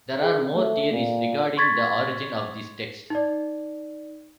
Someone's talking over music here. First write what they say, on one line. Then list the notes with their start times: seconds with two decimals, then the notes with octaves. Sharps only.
There are more theories regarding the origin of these texts.
0.22 G#4
0.55 A3
0.92 A#2
1.57 C6 C#6 G#6 A6 B6
3.10 D#4 D5